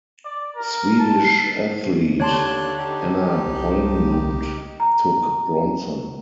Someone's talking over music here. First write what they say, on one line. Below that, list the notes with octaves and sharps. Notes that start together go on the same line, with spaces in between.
Swedish athlete Anna Holmlund took bronze.
D5
A#4
A5
D#2 D3 C#5 D5 A5 C6 F#6
D#4 G4
C2
A#5